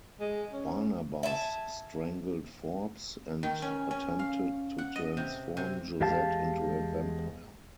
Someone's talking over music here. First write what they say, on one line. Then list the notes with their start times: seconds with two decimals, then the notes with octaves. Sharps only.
Barnabas strangled Forbes, and attempted to transform Josette into a vampire.
0.20 G#3
0.53 C#4
1.23 E5 G#5 A5
3.43 D#3
3.62 C#4
3.91 C#4
4.19 F5
4.78 F#5
4.96 D#5
5.17 C3
5.57 C3
6.01 E2 G#3 G4 F5 A5